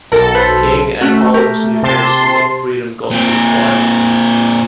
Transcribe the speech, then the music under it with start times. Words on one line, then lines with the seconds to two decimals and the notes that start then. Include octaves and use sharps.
King, and Harlem's New Voices of Freedom gospel choir.
0.12 B1 A4 A#4
0.35 B4 C5
1.01 A3 C#4 F#4
1.34 G4 A#4
1.83 C3 A5 C6
3.11 A#2 C4